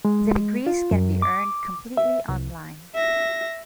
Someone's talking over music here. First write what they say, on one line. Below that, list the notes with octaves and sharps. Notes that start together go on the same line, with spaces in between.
The degrees can be earned completely online.
G#3
F4
F#2
D6
E5
C2
E5 A#6